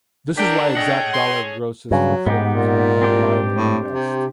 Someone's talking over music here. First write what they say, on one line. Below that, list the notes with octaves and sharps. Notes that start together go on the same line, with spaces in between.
This is why exact dollar grosses for films are unreliable at best.
E3 F#3 D4 G4 A#4 G5
C#4 G#4 A4 C#5 D#5 F#5 G5
C6
G2 C#3 F#3
G#2 B3 D#4 G4
A#2
C4 D4 G4
A2
C3